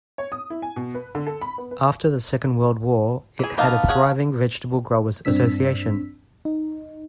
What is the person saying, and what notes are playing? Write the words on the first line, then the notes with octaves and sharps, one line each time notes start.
After the Second World War it had a thriving Vegetable Growers Association.
C#5
D#6
E4
G#5
B2
B4
D3
A4
B5
B3
B4
E3 G#4
A#3 B3 D#4 F5 A5
C#4 G#4 F#5
G2 C4 D4 E6 B6
D#4